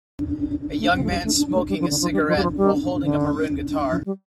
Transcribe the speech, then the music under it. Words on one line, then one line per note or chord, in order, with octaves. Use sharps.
A young man is smoking a cigarette while holding a maroon guitar.
A3
C4
A3
G3
A3
D4
A3
G3
F3
D3
F3
G3
F3
G3
F3
G3
D3
F3
G3